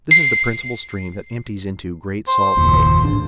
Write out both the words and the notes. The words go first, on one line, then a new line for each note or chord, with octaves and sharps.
This is the principal stream that empties into GREAT SALT LAKE.
C7
C5
F#1 D#2 A#2
A1 G#2 D4